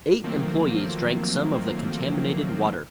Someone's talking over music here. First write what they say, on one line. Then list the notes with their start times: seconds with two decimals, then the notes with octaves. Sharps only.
Eight employees drank some of the contaminated water.
0.24 D#3 F3 F#3 A3 A#3 C4